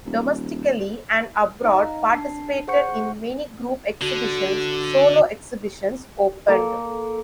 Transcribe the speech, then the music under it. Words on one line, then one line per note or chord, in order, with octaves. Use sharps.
Domestically and abroad, participated in many group exhibitions, solo exhibitions opened.
D#1
C#4 D#4 D#5 F5 A#5
D4 A5 C7
G#4 C5 F#5 C#6 G6 C#7
D3 F#4
A#3 A4